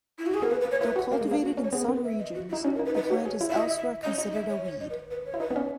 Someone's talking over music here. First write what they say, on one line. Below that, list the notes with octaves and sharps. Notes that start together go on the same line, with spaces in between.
Though cultivated in some regions, the plant is elsewhere considered a weed.
E4
F#4
G#4
B3 A#4
A#3 B4
B4
A#3
C#5
E4 B4
F#4
A#3 A#4
G#3
G#4
A#3
F#4
C#4
C#5
B3 G#4
A#4
B3 B4
E5
D#5
F#4
E4
D#4
C#4 F#4
A#4
D#4
B4
D#4 B4
F#4 C#5
G#4
E4
E5
E4 D#5
E5
E5
D#5
C#4
D#4 D#5
E5
C#5
C#5
D#5
B4
B4
C#5
E4
D#4 B4
B3
C#4